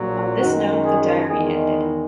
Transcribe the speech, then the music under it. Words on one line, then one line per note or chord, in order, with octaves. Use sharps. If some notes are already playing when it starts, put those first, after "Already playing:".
On this note the diary ended.
Already playing: A#1 A#2 F#3
F#2 D#3 G#3 F#4
G#4
E2 D#3 G#3 G#4
E4